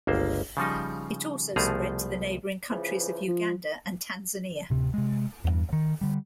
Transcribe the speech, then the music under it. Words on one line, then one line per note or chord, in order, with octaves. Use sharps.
It also spread to the neighboring countries of Uganda and Tanzania.
G1 C#2 A#3 C5
C#3 F3 G3 D#4
C2 B2 F3 A3 G#4 A#5
C#3 E3 F3
F3
D1 C3
C3 G#3
E2 G2
D#3
D3 G3